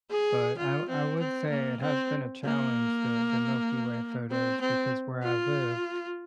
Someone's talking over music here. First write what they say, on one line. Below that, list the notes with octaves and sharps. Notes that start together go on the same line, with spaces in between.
but I w I would say it has been a challenge- the the Milky Way photos, because where I live,
G#4
F4
C4
C4
A#3
C4
A#3
C4
C4
F4